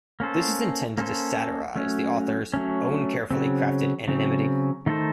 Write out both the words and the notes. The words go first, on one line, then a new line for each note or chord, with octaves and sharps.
This is intended to satirise the author's "own carefully crafted anonymity".
A#3 C#4 A4 C5
A#3 C#4 A4 C5
F#3 A3 C#4
F#3 A3 C#4
C#3 F#3 C4
C#3 F#3 C4
D#3 A3 D#4 A4 C5